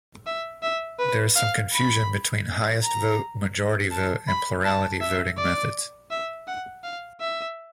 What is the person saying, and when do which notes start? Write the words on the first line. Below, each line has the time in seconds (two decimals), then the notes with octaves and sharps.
There is some confusion between highest vote, majority vote and plurality voting methods.
0.26 E5
0.63 E5
0.99 B4
1.36 F5
1.72 B5
2.82 A#5
3.91 A5
4.28 B5
4.65 A5
5.01 E5
5.38 D5
6.11 E5
6.47 F#5
6.84 F5
7.21 E5